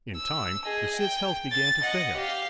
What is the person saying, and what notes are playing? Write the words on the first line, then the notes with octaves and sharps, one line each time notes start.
In time the Cid's health began to fail.
E6
G#4 D#5
G5
A6
D#5 F#5
G4 F5